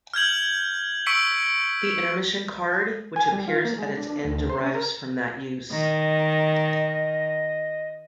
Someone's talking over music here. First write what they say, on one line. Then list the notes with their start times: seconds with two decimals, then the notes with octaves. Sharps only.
The "Intermission" card which appears at its end derives from that use.
0.14 F6 G6 G#6 F#7
1.06 C#6 E6 B6 C#7 D7 F#7
3.16 G#5
3.32 G3
3.48 F4
3.65 A#3
3.79 G#3
3.97 D4
4.25 D2
4.50 C5
4.61 C#4
4.74 A#4
5.72 D#3 D#5